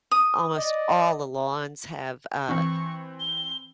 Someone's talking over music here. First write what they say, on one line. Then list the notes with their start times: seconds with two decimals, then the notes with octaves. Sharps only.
almost all the lawns have, uh,
0.11 D#6
0.56 D5 D#5
2.49 E3 C4 C#6
3.20 G7